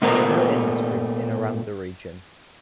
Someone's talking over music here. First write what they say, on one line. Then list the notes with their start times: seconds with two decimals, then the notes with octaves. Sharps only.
There are no industries in around the region.
0.02 A#2 A3 B3 A#4 C5 A#5